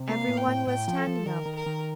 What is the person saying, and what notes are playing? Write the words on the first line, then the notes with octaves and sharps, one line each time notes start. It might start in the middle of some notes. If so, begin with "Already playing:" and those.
Everyone was standing up.
Already playing: C3
A#3 F5
A2
G5
A2
A2 G5
F3
A4
F3
D#3 A#4
D#3
A#4
D#3